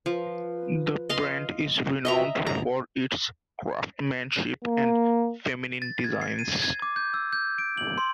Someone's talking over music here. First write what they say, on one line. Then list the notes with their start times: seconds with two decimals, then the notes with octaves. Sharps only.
The brand is renowned for its craftsmanship and feminine designs.
0.06 F3 B4
1.09 D#5 F5 C6
2.05 F4 F#4 B4 D#5 E5 A#5
2.32 G5
2.47 A#5
4.65 A#3
5.82 A6
6.04 G#6
6.21 C7
6.39 D#7
6.62 G#6
6.82 D6
6.96 G6
7.14 E6
7.33 G6
7.58 D7
7.77 F#7
7.98 C6